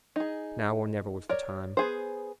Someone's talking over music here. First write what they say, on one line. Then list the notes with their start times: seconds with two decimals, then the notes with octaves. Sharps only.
Now or never was the time.
0.16 D#4 G#4
1.29 A#4 C#5 D5
1.77 B3 G#4 C5